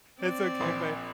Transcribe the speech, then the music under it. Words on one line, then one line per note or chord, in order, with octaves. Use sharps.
it's okay if I
C4 D5
A#1 C5